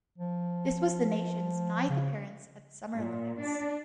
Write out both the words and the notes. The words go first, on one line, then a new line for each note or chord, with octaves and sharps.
This was the nation's ninth appearance at the Summer Olympics.
F3
C#3
A#2
D4